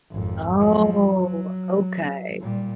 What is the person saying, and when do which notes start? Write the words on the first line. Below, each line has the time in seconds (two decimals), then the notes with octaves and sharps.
Oh. Okay.
0.11 G#1 F2
0.59 F3 F#3
1.20 F#3
2.41 A#2 G3